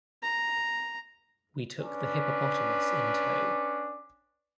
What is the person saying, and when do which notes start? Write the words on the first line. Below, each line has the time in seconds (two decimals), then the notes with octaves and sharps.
We took the hippopotamus in tow.
0.23 A#5
1.82 C#4 D4 B4